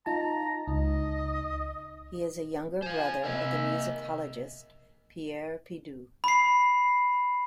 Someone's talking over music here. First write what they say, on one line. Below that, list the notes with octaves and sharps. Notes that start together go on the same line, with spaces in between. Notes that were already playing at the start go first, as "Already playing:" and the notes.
He is a younger brother of the musicologist, Pierre Pidoux.
D#4 F4 A5 A#5
C#2 D#4 D#5
C5 F5 G#5
C3 A#3 A#4 D#5 E5 G#5
B5 C7